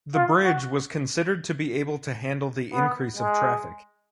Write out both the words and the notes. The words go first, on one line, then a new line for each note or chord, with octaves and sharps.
The bridge was considered to be able to handle the increase of traffic.
F4
F#4
B3
G#3